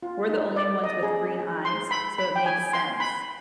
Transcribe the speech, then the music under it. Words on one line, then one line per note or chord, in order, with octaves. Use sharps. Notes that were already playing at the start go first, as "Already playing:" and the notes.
we're the only ones with green eyes, so it makes sense.
F4
D#4
D5
D#5
G#4
C6
B5
B5
G5
G#5
C6
B5